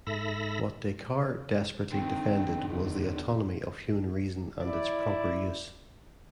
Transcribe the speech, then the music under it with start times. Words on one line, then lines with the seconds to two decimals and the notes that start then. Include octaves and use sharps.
What Descartes desperately defended was the autonomy of human reason and its proper use.
0.07 G#2 A4 E5 B5 A#6
1.92 D3 D#3 C4
2.68 E2
4.59 E4 D5